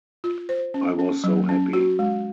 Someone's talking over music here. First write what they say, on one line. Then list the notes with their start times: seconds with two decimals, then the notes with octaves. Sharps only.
I was so happy.
0.24 F4
0.49 C5
0.74 C#4
0.99 C#4
1.24 F#3
1.49 C#4
1.73 F#4
1.99 G#3